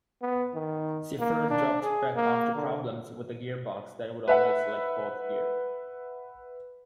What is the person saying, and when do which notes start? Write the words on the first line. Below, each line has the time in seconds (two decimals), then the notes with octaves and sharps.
Siffert dropped back after problems with a gearbox that would only select fourth gear.
0.22 B3
0.54 D#3
1.19 A#3
1.50 D4
1.83 G#4
2.16 A#3
2.56 D3
4.28 B4 E5 F#5